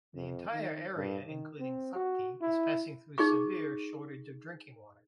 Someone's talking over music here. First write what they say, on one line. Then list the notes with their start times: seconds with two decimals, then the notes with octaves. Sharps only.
The entire area including Sakti is passing through severe shortage of drinking water.
0.15 F2
0.53 D#3
0.96 G2
1.26 D#3
1.59 C4
1.95 F#4
2.41 E4
3.18 D#4 G#4 C#6 D6